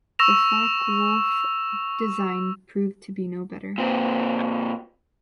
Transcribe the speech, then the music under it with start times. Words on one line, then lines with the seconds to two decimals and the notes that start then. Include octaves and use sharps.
The Focke-Wulf design proved to be no better.
0.19 C#6 E6 A#6 E7 F7
3.78 A#2 C4